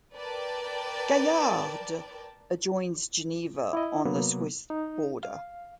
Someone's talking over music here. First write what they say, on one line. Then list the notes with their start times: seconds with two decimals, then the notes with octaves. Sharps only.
Gaillard adjoins Geneva on the Swiss border.
0.14 A#4 B4 D5 G5 A5
3.73 E4 D#5
4.05 C3 F#3 A#3 B3
4.70 D#4
5.23 F5